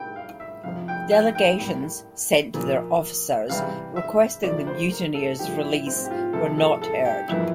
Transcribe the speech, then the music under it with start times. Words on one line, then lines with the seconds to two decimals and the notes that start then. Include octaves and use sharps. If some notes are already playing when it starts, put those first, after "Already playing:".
Delegations sent to their officers requesting the mutineers' release were not heard.
Already playing: G3 A#3 G5
0.16 F5
0.40 E5
0.64 F2 C3 F3 F5
0.88 G5
1.12 G5
1.35 G5
1.59 A2 G3 A#3
2.54 A#2 F3 A#3
3.49 C3 E3 G3 F5
3.96 E5
4.44 C3 F3 A3 D5
4.67 C5
4.91 A#4
5.14 A4
5.39 G2 F3 A3 G4
5.62 E4
5.87 C4
6.05 G4
6.11 F4
6.33 C3 F3 A#3 A4
6.58 A4
6.82 A4
7.05 G4
7.28 F2 E3 A#3 E4